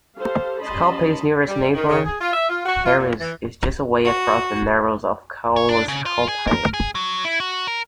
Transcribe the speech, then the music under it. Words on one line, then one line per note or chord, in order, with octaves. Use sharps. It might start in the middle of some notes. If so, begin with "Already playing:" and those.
Scalpay's nearest neighbour, Harris, is just away across the narrows of Caolas Scalpaigh.
G4 A4 C5 F5
G3 C#4 D#5 A5 B5 C6
G3
D#3
C#3
G#4
F4
E5
F4
F#4
F4
A#2
E3
F#4
C#5
D4
C#3
F4
G#4
A#4
G#4
F#3
E4
F#4
A#4